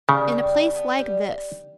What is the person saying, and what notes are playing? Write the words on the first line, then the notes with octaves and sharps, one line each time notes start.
"In a place like this."
C#3 G3
G3
D4
B3
G3